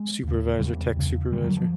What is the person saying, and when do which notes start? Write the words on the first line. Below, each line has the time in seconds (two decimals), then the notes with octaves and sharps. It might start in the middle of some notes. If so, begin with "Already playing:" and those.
Supervisor tech supervisor.
Already playing: G#3
0.24 D#2 C#3
0.59 E2 C#3 G3
0.96 E2 C#3
1.32 F2 D3 G3
1.44 F#3
1.57 F3